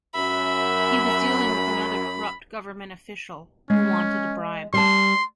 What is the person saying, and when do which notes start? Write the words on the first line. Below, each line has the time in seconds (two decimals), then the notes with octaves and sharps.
He was dealing with another corrupt government official who wanted a bribe.
0.15 F#2 E5 B5
3.70 G#3 C#4
4.74 G3 A5 C6